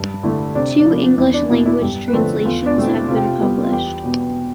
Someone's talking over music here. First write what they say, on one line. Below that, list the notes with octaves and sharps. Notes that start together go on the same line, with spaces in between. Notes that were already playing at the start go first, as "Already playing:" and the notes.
Two English language translations have been published.
Already playing: G2
D3 A3 E4
C3 D4
D4
F3 B3
E2 E4
D4
B2 B3 E4
E4
G2 G4
B4
D3 F3 A3 C4 A4
E2 F4
D4
B2 A3 C4
E4
C3 F4
G4
F4
G3 B3
F4
E2 G4
B2 B3